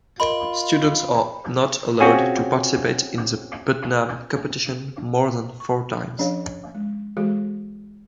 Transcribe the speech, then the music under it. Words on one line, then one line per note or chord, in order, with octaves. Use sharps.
Students are not allowed to participate in the Putnam Competition more than four times.
F4 A#4 D#5 B5 C6
C4 C#4 F4 F#4 G#4 G#5
C#6
F3 C#4 D4 G#4 C#5 F5
G#3
E3 G#3 F#4 G#4 A4